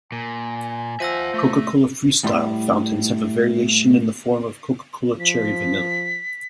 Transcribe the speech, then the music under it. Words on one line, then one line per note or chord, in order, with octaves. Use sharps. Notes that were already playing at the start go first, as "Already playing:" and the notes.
Coca-Cola Freestyle fountains have a variation in the form of Coca-Cola Cherry Vanilla.
A#2 G#5
F3 E5 F#5 E6 A#6 D#7
A3
A2 G3 C6
F3 B6